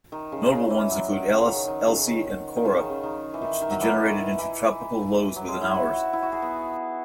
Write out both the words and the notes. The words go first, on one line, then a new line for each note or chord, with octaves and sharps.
Notable ones include Alice, Elsie and Cora which degenerated into tropical lows within hours.
D#3
C#3
C#3
D#3
E3
F#3
D#3
C#3
D#3
D#3
C#3
D#3
D#3
C#3
D#3
C#3
D#3
E3
D#3
D#3
F#3
E3
D#3
E3
E3
F#3
G#3
E4
F#4
F#4
E4
F#4
G#4
B3